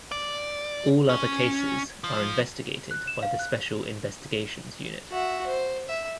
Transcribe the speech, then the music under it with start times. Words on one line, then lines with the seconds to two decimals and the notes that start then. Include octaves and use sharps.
All other cases are investigated by the Special Investigations Unit.
0.12 D5
1.09 C#4
2.04 F3
2.91 F#6
3.07 E7
3.23 F5
3.39 F#6
5.11 F#4 E5
5.46 C5
5.88 E5